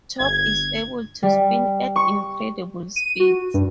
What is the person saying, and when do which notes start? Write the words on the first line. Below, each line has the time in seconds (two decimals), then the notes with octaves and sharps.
Top is able to spin at incredible speeds.
0.20 G1 G#6
1.23 G3
1.96 C#6
2.96 D#7
3.20 F#4
3.54 G2